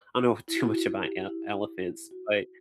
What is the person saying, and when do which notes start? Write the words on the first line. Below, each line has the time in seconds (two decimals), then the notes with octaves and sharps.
I don't know too much about el elephants, but
0.48 E4
0.56 F#4
0.65 E4
0.75 F#4
1.02 G4
1.29 E4
2.11 F#4